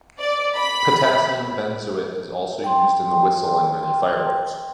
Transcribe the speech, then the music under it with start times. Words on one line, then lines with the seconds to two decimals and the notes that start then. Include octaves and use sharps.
Potassium benzoate is also used in the whistle in many fireworks.
0.20 D5
0.56 B5
2.64 G5 C6